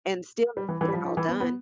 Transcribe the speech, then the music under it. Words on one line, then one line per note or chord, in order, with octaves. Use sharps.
and still get it all done.
G3
E3
E3
G3
F3
F3
E3
B3
B3